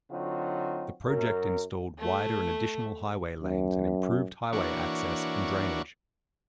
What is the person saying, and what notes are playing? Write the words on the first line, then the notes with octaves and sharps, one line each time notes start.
The project installed wider and additional highway lanes, and improved highway access and drainage.
D3 F#3 C4 D#4 F4 F#4
F#2 A#4
A3
F#2
E3 A#3 D4 F#4 C#5